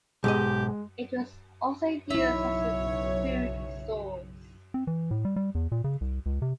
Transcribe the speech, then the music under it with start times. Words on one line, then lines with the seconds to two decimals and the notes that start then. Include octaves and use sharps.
It was also used as a food source.
0.24 B1 G#2 G#3 G4 D#5
2.10 B1 C#3 F#3 D#4 E4 C#5 E5
4.74 C4
4.87 E3
5.11 A2
5.25 G3
5.36 G3
5.55 E2
5.72 A#2
5.84 C#3
6.01 C2
6.26 C#2
6.42 C3